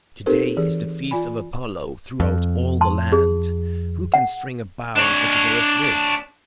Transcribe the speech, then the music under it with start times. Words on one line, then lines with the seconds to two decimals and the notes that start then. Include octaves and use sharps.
Today is the feast of Apollo throughout all the land; who can string a bow on such a day as this?
0.26 C4 D#4 G4 A4 A#4 C5
0.57 E3 G#4
1.11 F4 D5 G#5 B5
2.20 F2
2.81 A5 C6
3.12 G#4
4.14 F#5
4.96 D4 C#5